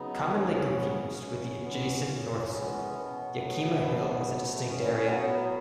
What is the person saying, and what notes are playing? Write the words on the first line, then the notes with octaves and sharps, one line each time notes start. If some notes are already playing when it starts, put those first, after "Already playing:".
Commonly confused with the adjacent North Slope, Yakima Hill is a distinct area.
Already playing: C#3 F#3 B3 D#4
D#2 C#4
C#3 F#3 B3
B3
F#2 C#4
E3 G#3 B3
F#2
E3 G#3 B3
B2 B3
F#3 A3
B2 B3
F#3 A3
A2 C#4
F#3 B3